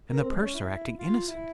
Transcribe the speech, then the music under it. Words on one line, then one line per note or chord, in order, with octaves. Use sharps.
And the purser acting innocent?
A#4
C4
G#3
C#4
E4
F4
E4